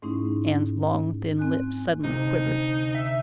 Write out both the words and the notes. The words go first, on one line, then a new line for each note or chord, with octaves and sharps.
Anne's long, thin lips suddenly quivered.
G#2 A3 C#4 D#4 E4
C4 G#5 F#6
D2 C3 C4 D#4
E5